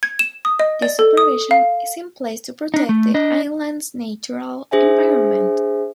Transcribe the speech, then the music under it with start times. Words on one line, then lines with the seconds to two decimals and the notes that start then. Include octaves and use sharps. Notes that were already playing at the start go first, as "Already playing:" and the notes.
This supervision is in place to protect the island's natural environment.
0.03 G#6
0.19 E7
0.45 D#6
0.59 D#5
0.82 D5
0.99 A4
1.17 D#6
1.51 F5
2.74 D4 D#4
2.89 A3
3.14 D4 D#5
4.71 D4 G#4 C5 E5 G#5